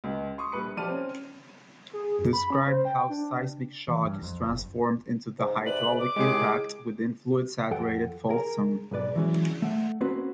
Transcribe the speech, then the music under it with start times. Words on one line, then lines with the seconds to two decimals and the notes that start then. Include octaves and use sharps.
Described how seismic shock is transformed into the hydraulic impact within fluid-saturated fault zone.
0.04 C#2
0.38 C6 C#6 D#6
0.52 A#1 G3 B4 B5 C#7
0.77 F3 G4 D5 A5 F6 D#7
0.88 C4 C#4
1.93 G#4
2.19 F#2
2.33 B5
2.50 C#4
2.67 C5
2.85 G5
3.10 D4
3.88 E3
4.05 G2
4.23 F2
4.49 F#1
5.39 G#2 C3
5.66 B4 D5 F#7
5.99 D6
6.16 A2 D#3 G#3 G4 G#4
7.71 F2 A4 F#5 G5
8.29 G#4 A#4
8.91 B1 G#2 B4 D5
9.15 E3 F#3 G#3 C#4 C#5
9.62 A3 F#5
10.01 A#3 C4 C#4 F#4 B4